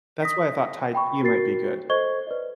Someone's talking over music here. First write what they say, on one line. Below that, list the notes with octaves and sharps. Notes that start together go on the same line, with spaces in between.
That's why I thought Tai Chi might be good.
D#6 A#6 B6
G5 B5 C#6
F#4 A#4 A6 C7
A4 C5 D#5 C#6 G#6 G7
B4 D5 D#5